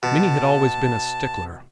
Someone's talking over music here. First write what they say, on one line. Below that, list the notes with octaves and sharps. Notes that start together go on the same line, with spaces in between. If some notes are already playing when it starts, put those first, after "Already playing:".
Minnie had always been a stickler.
B2 A5